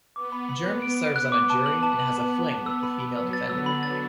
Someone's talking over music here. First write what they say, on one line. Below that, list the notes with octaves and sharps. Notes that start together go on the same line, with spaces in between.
Jeremy serves on a jury and has a fling with the female defendant.
B3 D6
B5
B5
F#6
D7
D7
F#6
D6
A5
F#7
A5
F#7
A5
F#7
A5
E6
B3 B5
B5
F#3 E6
A6
D3 E6
B5
A6